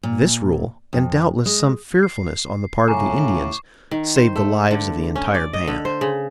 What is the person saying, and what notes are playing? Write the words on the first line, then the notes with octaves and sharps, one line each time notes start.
This rule, and doubtless some fearfulness on the part of the Indians, saved the lives of the entire band.
A#2
F2
G#3
C7
A2 C#3 G#5 A#5 C#6 D6
D#3
C5
A3
D3
C#4
D5
D#5
D3
C5
C#3